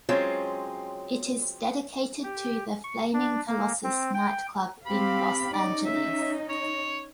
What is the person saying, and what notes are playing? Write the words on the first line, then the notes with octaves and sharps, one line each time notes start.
It is dedicated to the Flaming Colossus nightclub in Los Angeles.
F#3 G#3 C4 C#4 F4
G4
C#6
D4
A#3
C4
G5
C4 G4 F5 B5
C#4 D#4 D5
E5
C#5